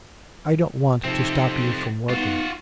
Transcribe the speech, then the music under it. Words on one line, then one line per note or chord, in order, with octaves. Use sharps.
I don't want to stop you from working.
C3 F3 C4 D#4 A4
B3 D#4 F4 F#4